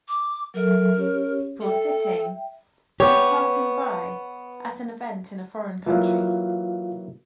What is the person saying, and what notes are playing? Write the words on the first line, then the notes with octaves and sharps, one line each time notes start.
People sitting and passing by at an event in a foreign country.
D6
F#3 A4 A#4 E5
C#4 G4 C#5
A4 E5 G5
B3 G4 C#5
E3 F#3 A#3 F4 F5